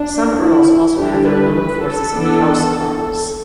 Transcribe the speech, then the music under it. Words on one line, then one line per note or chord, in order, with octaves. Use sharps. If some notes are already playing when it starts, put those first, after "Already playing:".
Some earls also had their own forces of housecarls.
Already playing: D4
E4
D3 G3 D4 G4
B4
B4
A4
E3 B3 D4